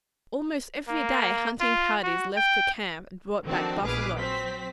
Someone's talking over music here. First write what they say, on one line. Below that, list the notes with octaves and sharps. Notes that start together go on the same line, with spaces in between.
Almost every day hunting parties left the camp and brought back buffaloes.
A#3
F4
F#4
G5
D#3 F3 C4 D4 F#4 A4
A#1 B2 G#4 B4 D6 F6
F#3 C4 C5 B6